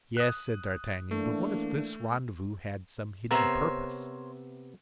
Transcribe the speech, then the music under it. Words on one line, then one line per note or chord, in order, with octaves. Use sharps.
"Yes," said D'Artagnan; "but what if this rendezvous had some hidden purpose?"
D#6 F#6
E3 A3 A#3 D4
C3 B3 A#4 C5 C#5 E5